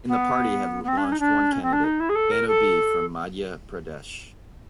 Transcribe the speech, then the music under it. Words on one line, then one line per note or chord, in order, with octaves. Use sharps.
In the party had launched one candidate, Bano Bee from Madhya Pradesh.
B3
B3
C4
D4
C#4
D#4
D4
C#4
C4
D4
D#4
E4
G#4
A4
A#4
A4